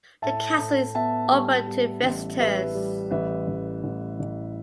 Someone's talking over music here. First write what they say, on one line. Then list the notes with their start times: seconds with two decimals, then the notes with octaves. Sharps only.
The castle is open to visitors.
0.22 A2 E5 A5
0.59 A2
0.95 B3 E5 A5
1.32 G3
1.67 G3
2.03 A1
2.39 G3 B4 E5
2.75 G3
3.11 A1 B4 E5
3.48 A1
3.84 A1
4.20 A1